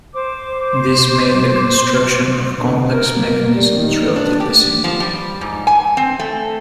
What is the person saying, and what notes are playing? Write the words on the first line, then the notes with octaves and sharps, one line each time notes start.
This made the construction of complex mechanisms relatively simple.
C5 D6
D3
C4
A#4
A#3
G3
D#3
D4
G4
F3
G3
G#2
G#5
C4
A3